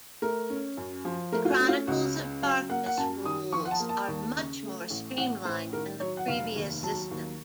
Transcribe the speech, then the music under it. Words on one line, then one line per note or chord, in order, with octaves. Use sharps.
The Chronicles of Darkness rules are much more streamlined than the previous system.
A3 A#4
C#4
F#2
F3
A3 A#4
F4
F#4
C#4
F4
C#2 F#4
C#3
F#3 F5
A#3 F#5
F#5
F#2 A5
D#3 D#6
F3 C#6
F#5
A5
A#3
A5
D#2
C#3
A3
A1
A1 F#5
A2 C5
D#3 A#4
F#3 C#5
F#5
F1 F5
D#2
F#3 A5
D#2